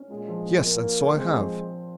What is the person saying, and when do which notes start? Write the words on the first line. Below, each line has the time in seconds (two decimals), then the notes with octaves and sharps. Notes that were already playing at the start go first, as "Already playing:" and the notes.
Yes, and so I have.
Already playing: C#4
0.10 A#2 G#3
0.28 F3
0.45 A#2
0.64 A#2 A#3
0.81 A#2
0.98 A#2
1.16 G#3 C4
1.35 F3